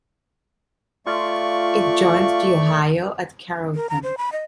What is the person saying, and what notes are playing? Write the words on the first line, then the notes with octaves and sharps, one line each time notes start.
It joins the Ohio at Carrollton.
A3 F4 D5 C#6
A#4
A#5
C5
B5
D#5